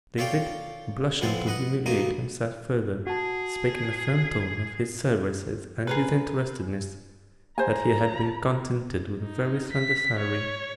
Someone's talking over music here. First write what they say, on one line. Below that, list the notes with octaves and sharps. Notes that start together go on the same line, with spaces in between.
David, blushing to humiliate himself further, spake in a firm tone of his services and disinterestedness,--that he had been contented with a very slender salary.
F4 A4 C#5 D5 F5 G5
F2 G#3 B3 C4 A4 F5
B4 D#5 F#5
B1 D#3 A3 A#3 D#5 D#6
F#4 G#4 A5
G#4 A#4 B4
C5 G#5 A#5
D#4
B6
C#5